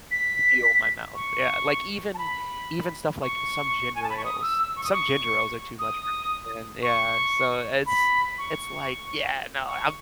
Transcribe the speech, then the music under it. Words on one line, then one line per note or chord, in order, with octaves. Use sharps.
feel my mouth." Yeah, like even even stuff, like, some ginger ales some ginger ales are too much for me, and yeah, so it's it's like, yeah, no, I'm
B6
C#6
A5
B5
C#6
G#5
A5
B5
C#6
D#6
E6
E6
C#6
D#6
C#6
D#6
C#6
B5
C#6
C#6